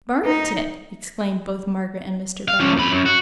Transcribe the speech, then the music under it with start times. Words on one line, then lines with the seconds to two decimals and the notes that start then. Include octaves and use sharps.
'Burnt it!' exclaimed both Margaret and Mr. Bell.
0.25 D#4
2.48 F5
2.60 F3 C#4
2.77 F2 B5
2.92 F#2
3.05 F#4